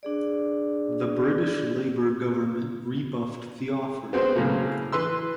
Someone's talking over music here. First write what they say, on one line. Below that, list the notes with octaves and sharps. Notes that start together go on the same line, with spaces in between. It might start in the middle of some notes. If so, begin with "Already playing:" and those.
The British Labour government rebuffed the offer.
D4 G#4 D5
B3 C4 F#4 G#4 C5
A2 C#3 F#3 A#3
E3 B4 C6 E6